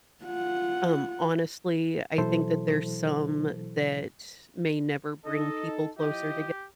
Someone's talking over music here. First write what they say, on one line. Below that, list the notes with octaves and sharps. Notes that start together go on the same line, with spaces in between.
um, honestly, I think that there's some that may never bring people closer toge
F4 F#5
B2 E3 F#3 E4 A4 C5
D#4 A4 D#5
F3 E4 G4 D#5